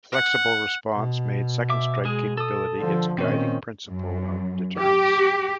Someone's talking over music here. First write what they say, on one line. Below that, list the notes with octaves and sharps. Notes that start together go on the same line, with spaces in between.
Flexible response made second strike capability its guiding principle of deterrence.
F#5
B2
E5 D6
G#3 G#4
A4 D#6
D3 F3
A#2 D#3 C4 C#4
F#2
G4